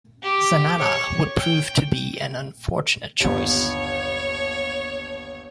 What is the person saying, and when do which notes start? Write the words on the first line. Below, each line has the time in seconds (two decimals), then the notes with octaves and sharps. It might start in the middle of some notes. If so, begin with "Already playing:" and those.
Zanana would prove to be an unfortunate choice.
0.23 G4
0.78 C#5
1.38 G5
3.20 G1 D#2 C#5